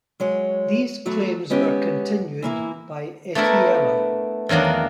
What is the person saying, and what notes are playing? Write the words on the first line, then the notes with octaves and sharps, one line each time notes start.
These claims were continued by Etteilla.
F#3 G#3 C#5
E3 F#3 A3 F#4
G#3 B3 C#4 G4
E3 A#3 E4
A3 B3 D4 E4 A#4
E2 D#3 F#3 A#3 D4